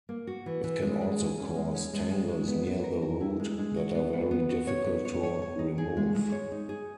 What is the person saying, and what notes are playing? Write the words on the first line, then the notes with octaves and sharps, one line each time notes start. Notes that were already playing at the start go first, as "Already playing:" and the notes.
It can also cause tangles near the root that are very difficult to remove.
A#3
F#4
E3
E3
G#3
G#3
G#4
C#4
G#3
C#4
G#3
G#3
G#3
B3
B3
A#4
A#4
E4
G#3
G#3
F#4
B3
B3
B3
F#4
C#5
B3
C#5
C#5
C#5
D#4
G#4
G#3
G#3
C#5
D#4
G#4